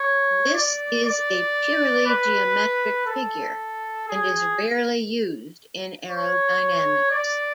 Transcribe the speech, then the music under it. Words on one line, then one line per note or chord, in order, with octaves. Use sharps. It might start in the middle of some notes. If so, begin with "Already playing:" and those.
This is a purely geometric figure and is rarely used in aerodynamics.
Already playing: C#5
D5
D5
B4
A4
G#4
C#5
D5